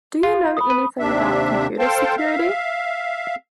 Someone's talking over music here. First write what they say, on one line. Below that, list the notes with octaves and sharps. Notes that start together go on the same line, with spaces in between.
Do you know anything about computer security?
F4
B5 D#6
B4
D#2 C3 D4 E5
A4 C5 F5 G5 A5
E5 F5